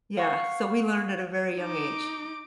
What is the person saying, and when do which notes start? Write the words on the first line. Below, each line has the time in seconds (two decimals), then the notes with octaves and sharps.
Yeah. So we learned at a very young age.
0.17 F5 F#5 C#6
1.59 D#4 D6